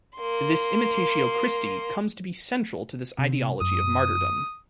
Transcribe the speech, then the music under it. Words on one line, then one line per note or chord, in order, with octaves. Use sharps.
This imitatio Christi comes to be central to this ideology of martyrdom.
A#3 C6
C3
F#2 D#6